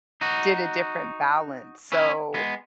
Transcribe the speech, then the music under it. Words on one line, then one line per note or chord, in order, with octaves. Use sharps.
did a different balance. So,
D#4 F#4
C#4 E4
G#3 B3